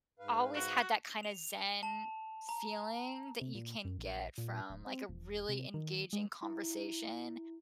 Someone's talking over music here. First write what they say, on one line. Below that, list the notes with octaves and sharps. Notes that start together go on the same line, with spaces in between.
always had that kinda zen feeling that you can get from, like, a really engaging conversation,
G#2 B4 F5
F#4
F7
A5
A#5
C3
A#2
F#2
A#1
A#2
D1
C4
E1
C3
D#3
G#3
E4